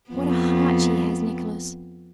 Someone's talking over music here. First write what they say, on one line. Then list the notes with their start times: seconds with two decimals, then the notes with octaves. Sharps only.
What a heart she has, Nicholas!
0.10 F2 B3